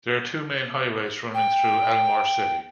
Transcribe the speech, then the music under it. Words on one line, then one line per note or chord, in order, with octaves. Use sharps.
There are two main highways running through Elmore City.
G5